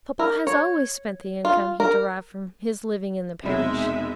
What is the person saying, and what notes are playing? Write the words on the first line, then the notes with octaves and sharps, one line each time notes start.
'Papa has always spent the income he derived from his living in the parish.
A#4
C#5
F4
A#4
E1 C3 G#3 D#4 E5 B5